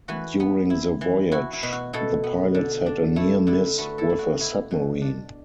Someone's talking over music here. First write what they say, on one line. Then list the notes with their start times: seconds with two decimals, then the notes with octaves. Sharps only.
During the voyage, the pilots had a near-miss with a submarine.
0.08 E3 F#4 B4
0.40 B3
0.70 E4
1.01 E3
1.32 E4 F#4
1.53 E4
1.63 B2
1.72 F#4
1.93 B2 E4 A4
2.24 B3
2.54 D3
2.86 D4
3.16 A3 E4
3.47 D3 E4
3.78 A3 F#4 B4
3.98 E4 A4
4.10 E4
4.19 F#4
4.40 B2 E4
4.71 B2
5.02 D4